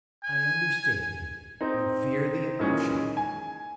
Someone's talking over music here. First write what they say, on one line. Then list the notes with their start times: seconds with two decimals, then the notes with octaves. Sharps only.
I understand you; you fear the emotion.
0.24 G#5
1.61 C4 D#4
2.59 F#2 A#2 D#3 E3 G#3 C#4
3.17 G#5